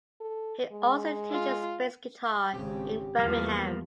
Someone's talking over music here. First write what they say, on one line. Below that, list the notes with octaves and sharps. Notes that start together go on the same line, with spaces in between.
He also teaches bass guitar in Birmingham.
A4
G#3
F4
G#1 C#3 C4 G4
E2 F3 G3 A#3 B3 F5